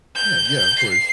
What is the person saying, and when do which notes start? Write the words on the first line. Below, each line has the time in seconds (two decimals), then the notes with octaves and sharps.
Yeah, yeah, of course.
0.16 G6
0.47 G6
0.79 C7